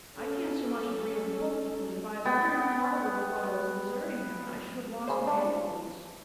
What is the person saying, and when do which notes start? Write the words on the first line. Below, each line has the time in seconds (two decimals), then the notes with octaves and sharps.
I can't so much as read a book, because, if I had learned, father would have thought I was deserting him, and I should have lost my influence.
0.17 C#4 A4
2.25 B3 G5
5.08 C#3 C5
5.27 D4